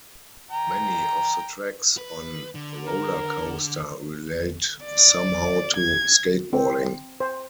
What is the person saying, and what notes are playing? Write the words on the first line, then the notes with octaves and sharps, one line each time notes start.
Many of the tracks on "Roller Coaster" relate somehow to skateboarding.
G5 A#5
B4
D3
A#4
D5
G#6
C4
C5